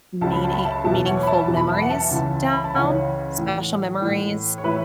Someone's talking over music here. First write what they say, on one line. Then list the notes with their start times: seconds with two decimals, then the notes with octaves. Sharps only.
meaning meaningful memories down? Special memories.
0.21 C#2 C#3 F#3 A5
0.32 B5
0.44 A5
0.54 B5
0.65 E5 A5
0.84 E2 B2 F#3 E5 A5
1.05 C#5 F#5
1.23 B5
1.27 E5 A5
1.48 E2 B2 F#3
1.57 B5
1.69 E5 A5
1.82 F#5
1.90 E5 A5
2.11 C#2 C#3 E3
2.53 B5
2.64 A5
2.74 C#2 C#3 E3 C#5 F#5
3.37 A2 E3
4.01 A2 E3
4.58 C#5
4.63 A2 E3 B4 E5